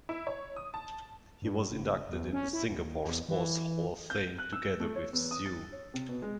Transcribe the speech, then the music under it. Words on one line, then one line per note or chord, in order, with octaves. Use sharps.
He was inducted in the Singapore Sports Hall of Fame together with Siew.
E4
C#5
D#6
A5
G2
F#1
E2
C#4
E4
D#2
E2
E3
G6
F#6
E6
A3
C#5
E2
D#6
A6
C#5
C3
B2
G#3